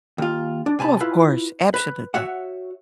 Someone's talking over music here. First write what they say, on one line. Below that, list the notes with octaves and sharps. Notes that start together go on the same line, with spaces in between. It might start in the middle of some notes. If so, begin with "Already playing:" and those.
Oh, of course, absolutely.
D#2 F4
D4
C3 G#5 A5 B5
E4 F4 B4
B4
F#4 C#5 E5 F#5